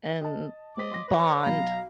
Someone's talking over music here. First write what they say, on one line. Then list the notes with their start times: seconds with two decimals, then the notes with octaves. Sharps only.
and bond.
0.22 D#5 A5
0.77 G#3 C5 D#5 D6 B6
0.91 C6 A#6
1.08 B4 C#5
1.43 B1 F5 A#5 B5